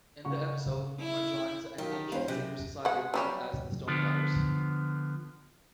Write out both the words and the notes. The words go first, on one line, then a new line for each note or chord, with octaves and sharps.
In the episode, Homer joins an ancient secret society known as the Stonecutters.
C#3 F#5 C#6
E4
D#3 F#3 F4 G4 A#4
F#5 A5
E1 B4 C5 F5
F#2 C3 G#5 F#6 G6
G#3 F#5
F#3 G3 C#4
D3 F3 B3